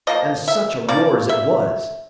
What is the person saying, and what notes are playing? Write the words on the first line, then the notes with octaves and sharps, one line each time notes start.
And such a roar as it was!
F3 A#3 D#5
E5
F3 A#3 D5
E5